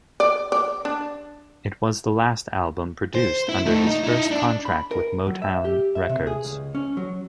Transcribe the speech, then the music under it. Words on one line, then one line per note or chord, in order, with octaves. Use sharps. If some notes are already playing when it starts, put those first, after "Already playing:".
It was the last album produced under his first contract with Motown Records.
D5
D5
D4
C5
E4
A3 D#4
D#4
D#4 E4
D4
B5
A#4
F#3
E5
G4
E5
C3
G#4
C#2
C#4
F#3